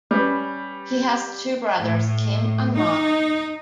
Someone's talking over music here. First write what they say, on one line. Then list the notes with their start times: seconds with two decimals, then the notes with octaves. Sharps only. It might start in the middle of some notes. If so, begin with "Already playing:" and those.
He has two brothers, Kim and Mark.
0.11 G3 C#4 B4
1.76 A2
2.75 D#4